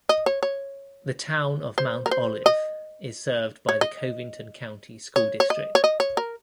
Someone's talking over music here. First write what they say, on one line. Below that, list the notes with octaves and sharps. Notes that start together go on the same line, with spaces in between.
The town of Mount Olive is served by the Covington County School District.
D#5
C#5
C#5
C5
A#4
C5
D#5
C#5
D#5
C#5
C#5
D#5
C#5
D#5
C#5
A#4